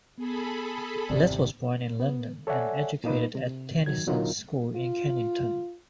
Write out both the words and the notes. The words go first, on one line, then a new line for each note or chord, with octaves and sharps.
Letts was born in London, and educated at Tenison's School in Kennington.
B3 G#4 A4 B5
G#1 C3 D5
B3
A4 C#5 D5 E5 F#5 G#5
A#2 A#3 D#4 B4
C3
D#3 F#3 G#6
B2 D3 F#3 D#4 F4 A#4
F4